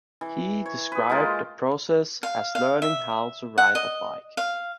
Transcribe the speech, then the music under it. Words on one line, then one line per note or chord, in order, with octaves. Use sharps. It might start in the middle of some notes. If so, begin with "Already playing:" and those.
He described the process as learning how to ride a bike.
E3
C#5
G#4 B4
G#3 A#3 F4 G4
F5
F5
E5
F#5
D#5
F5